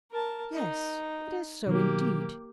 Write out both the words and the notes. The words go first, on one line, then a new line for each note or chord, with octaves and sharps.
'Yes; it is so, indeed.
A#4 A5
D#4
B2 D#3 F#3 A#3 G4